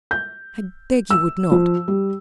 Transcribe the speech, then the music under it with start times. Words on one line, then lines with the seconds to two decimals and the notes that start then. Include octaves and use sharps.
I beg you would not.
0.11 G6
1.10 E6
1.52 F3
1.88 G3